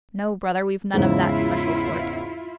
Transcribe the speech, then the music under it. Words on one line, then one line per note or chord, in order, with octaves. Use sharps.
"No, brother, we've none of that special sort."
E2 G#2 C#3 E4 F4